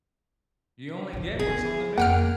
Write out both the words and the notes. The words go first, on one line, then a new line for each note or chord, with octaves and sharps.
You only get what's on the menu.
A1 E2
B3 E4 G#4
F2 A3 A#3 F#5 G5 F6